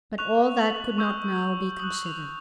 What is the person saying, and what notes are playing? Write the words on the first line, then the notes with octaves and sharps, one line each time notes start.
But all that could not now be considered.
C#6 F#6 F7
F#7
C#6 E6 G6
D#6 F#6 F#7
F7